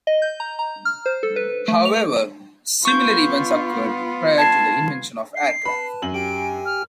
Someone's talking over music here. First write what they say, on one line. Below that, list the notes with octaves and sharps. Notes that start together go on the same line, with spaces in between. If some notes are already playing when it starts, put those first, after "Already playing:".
However, similar events occurred prior to the invention of aircraft.
D#5
G6
A#5
A#5
F6
C5
A4
B4
A3
F7
B3 F4 C#6 G6
A5 G#6 C7
C7
B4 A5 B5
F#2 F#7
G4 G5 G#5 D7
F6